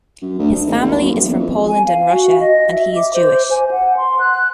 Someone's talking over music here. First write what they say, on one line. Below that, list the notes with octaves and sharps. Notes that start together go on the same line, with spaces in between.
His family is from Poland and Russia, and he is Jewish.
F#2
D2
D2
G#1
D#2
F#2
D#1
E2
F2
G#5
F5
F#4
D#5
E5
D6
C5
G#5
F#5
C6
F#6